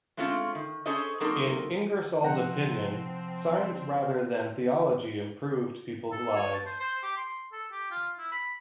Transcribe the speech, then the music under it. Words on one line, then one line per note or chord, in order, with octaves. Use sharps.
In Ingersoll's opinion science rather than theology improved people's lives.
G#3 A3 C4 C#4 F4
D#3
C#4 G#4 A4 C5 C#5 D#5
F#3 A#3 C4 D#4 A4 A#4
C3 F3 C4 F#5 G5 A#6
A4
C#5
A5
C5
C5
G4
C6
A4
G4
F4
E4
B5